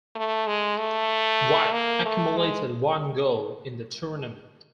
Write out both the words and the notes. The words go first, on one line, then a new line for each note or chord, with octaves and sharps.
White accumulated one goal in the tournament.
A3
G#3
A3
A#3
A3
G#3